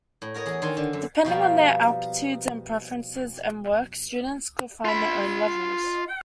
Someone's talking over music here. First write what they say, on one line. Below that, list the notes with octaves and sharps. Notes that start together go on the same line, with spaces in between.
Depending on their aptitudes and preferences and work, students could find their own levels.
A2
F#4 A#4 C#5 D#5
E2 G#4
D#3 D4 D#4 A4 G#5 C6
D3
F#2
B2 F3 G3 A#3
F4 B5